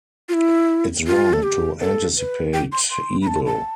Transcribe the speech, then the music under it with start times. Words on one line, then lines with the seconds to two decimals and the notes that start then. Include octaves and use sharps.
It’s wrong to anticipate evil.
0.29 F4
0.34 E4
1.07 F4
1.33 A4
1.43 G4
1.81 A4
2.18 B4
2.53 G5
2.72 C6
2.91 C6
3.22 B5
3.27 A5
3.46 A5